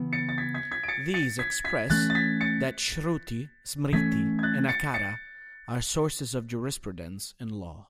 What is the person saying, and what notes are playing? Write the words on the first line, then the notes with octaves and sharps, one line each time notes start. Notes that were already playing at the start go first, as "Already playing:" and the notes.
These express that Shruti, Smriti and Acara are sources of jurisprudence and law.
Already playing: C#3 E3 B3
A6 C#7
A6
G#6 B6
G#6 B6
G#6 B6
D7
A6 C#7
A6 C#7
G#6 B6
G#6 B6
E3 A3 C#4 F#6 A6
A6
G#6 B6
A6 C#7
E3 A3 C#4 G#6 B6
G#6
F#6 A6
A6 C#7
A6 C#7